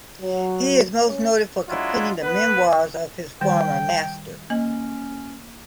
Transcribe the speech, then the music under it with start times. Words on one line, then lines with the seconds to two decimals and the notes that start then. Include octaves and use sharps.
He is most noted for completing the memoirs of his former master.
0.22 F#3
1.07 C#4
1.69 F#3 G#3 D4 E4 F4
2.22 B3 B4
3.41 D#3 G3 C5 G5
4.50 A#3 C#4 D#5 G#5